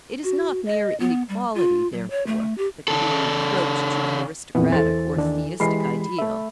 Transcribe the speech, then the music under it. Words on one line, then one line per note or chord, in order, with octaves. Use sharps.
It is not mere inequality, therefore, that can be a reproach to the aristocratic or theistic ideal.
F#4
D#5
B3
G3
F4
F#3
C#5
A3
G4
C#3 A4
F2 A#2 E3 B3
E2 E3 A4 C5 A6
D#2 D#3 D4
E3 G#3 G4 B5 C7
A3 E5